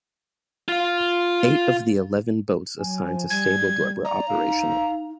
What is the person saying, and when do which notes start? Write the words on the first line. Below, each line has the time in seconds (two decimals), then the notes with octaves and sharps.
Eight of the eleven boats assigned to Stable Door were operational.
0.68 F4 F5
2.79 F#3 G#5
3.03 F3
3.30 G3 G#6
4.05 D5 A#5
4.28 D#4 F5